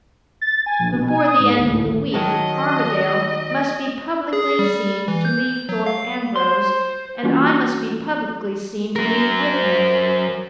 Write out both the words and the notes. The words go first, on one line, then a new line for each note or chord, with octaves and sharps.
Before the end of the week Armadale must be publicly seen to leave Thorpe Ambrose; and I must be publicly seen to leave with him.
A6
G#5
A#1
B2
G#5
D#6
G#2
D2
A2
G#1
D#3 F#3 D#5 A5
G#4
G3
E3
G6
F#3
F5
C5 C6
E3 G3 A#3 C#4 F4 F#4
F#3 A#4
C5